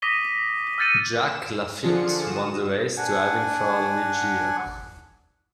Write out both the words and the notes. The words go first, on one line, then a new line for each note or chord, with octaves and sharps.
Jacques Laffite won the race driving for Ligier.
D6 D#6 A#6 B6 D#7 G7
E6 F6 G6 A6 C#7 D#7
E7
D3 F3 D4 F4 G#4 C#7
F#4 D#6 E7
D4 F#5 G#5